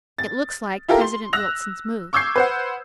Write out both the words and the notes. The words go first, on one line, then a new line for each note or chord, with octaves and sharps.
It looks like President Wilson's move.
A6
E4 F4 G4 A4 A#4
C6
E6 F#6 A#6 F7
C#6 D6 E6 G6 G#6 C7
B4 C5 F#5